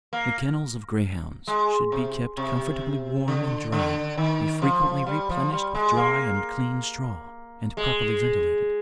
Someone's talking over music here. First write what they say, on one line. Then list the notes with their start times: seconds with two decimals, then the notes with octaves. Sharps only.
The kennels of greyhounds should be kept comfortably warm and dry, be frequently replenished with dry and clean straw, and properly ventilated.
0.13 A#3
1.47 G#3
1.92 C3
2.37 C3
3.28 D3
3.72 D3
4.17 D#3
4.62 F3
5.07 G3
5.30 F3
5.52 G3
5.75 G#3
5.97 A#3
7.77 G#3